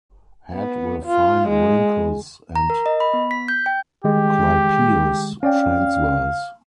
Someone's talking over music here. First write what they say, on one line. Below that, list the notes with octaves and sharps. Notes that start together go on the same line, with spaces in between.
Head with fine wrinkles and clypeus transverse.
B3
F4
G#3
A#5
A#4
D#5
B5
B3
B6
G6
G5
D#3 G#3 G4
C#4 D5 F5 G5